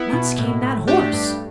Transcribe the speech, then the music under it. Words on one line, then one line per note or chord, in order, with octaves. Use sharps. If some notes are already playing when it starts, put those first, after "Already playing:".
Whence came that horse?
Already playing: B3 E4
B2
A2
A2
A3 D4 G4
G2